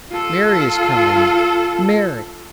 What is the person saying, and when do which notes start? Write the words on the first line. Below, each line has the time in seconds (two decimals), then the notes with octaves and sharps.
Mary is coming! Mary!
0.11 F4 A4